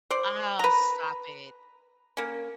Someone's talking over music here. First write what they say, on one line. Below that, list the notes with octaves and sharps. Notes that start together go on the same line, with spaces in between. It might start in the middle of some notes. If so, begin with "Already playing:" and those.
Oh, stop it.
C5 D5
B4 A#5
A#3 C#4